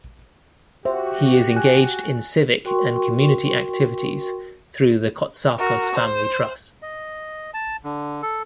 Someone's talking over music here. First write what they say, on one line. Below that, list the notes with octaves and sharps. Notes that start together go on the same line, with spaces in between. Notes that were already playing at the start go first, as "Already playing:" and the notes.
He is engaged in civic and community activities through the Cotsakos Family Trust.
F#4 G4 C5 E5
G#5 F#6
F#4 A#4 G5 C6 C#6
F#4 A#4
C5
D#5
A5
D3
A4